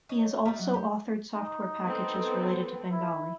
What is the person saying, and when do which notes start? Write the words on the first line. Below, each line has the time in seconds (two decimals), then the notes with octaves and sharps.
He has also authored software packages related to Bengali.
0.09 D#4 C#5
0.45 G3 D#4 D5 E5
0.59 F#3 G3 F#5
0.74 A3 G4
1.35 D#4
1.83 B3 C4 A4
2.92 E4